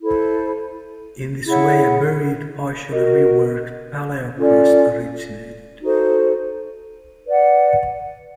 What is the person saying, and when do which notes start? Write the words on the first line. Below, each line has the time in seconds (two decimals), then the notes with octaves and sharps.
In this way a buried, partially reworked paleokarst originated.
0.01 E4 A4 C5
1.45 E4 G#4 C#5 F#5
2.91 F#4 A#4 D#5
4.36 C#4 F4 A4 D5
5.81 D#4 F#4 A4 C5
7.25 B4 D5 F#5